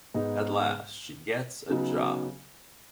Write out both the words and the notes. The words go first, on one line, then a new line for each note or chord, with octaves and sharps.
At last she gets a job.
G#2 G#3 B3 D#4
C#3 F#3 B3 D#4